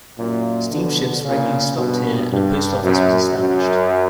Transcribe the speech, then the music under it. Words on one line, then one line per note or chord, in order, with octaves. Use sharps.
Steam ships regularly stopped here and a post office was established.
F#2 A#2
B2 D3
A#2 C#3
G2 B2
G2
F#2
F#2